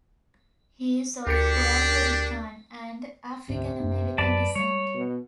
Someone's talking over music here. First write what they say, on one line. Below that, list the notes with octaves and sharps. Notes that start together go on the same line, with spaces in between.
He is of Puerto Rican and African American descent.
D2 D4 G4 A#4 C#7
D2 G#2 C3 C#4
F#2 D4
F#2 F#3 B4 D5 A5
G3 C#5
B2